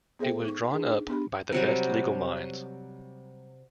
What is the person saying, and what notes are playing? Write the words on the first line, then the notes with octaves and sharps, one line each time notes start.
It was drawn up by the best legal minds.
B3 G#4 A4 C5 E5 G5
D#4 C#6
D4 G#4
D#4
B3 D4 G4 B5
C3 F#3 G3